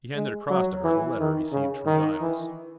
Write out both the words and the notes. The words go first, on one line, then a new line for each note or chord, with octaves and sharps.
He handed across to her the letter received from Giles.
G#3
F#3
E3
D#3
C#3
D#3
E3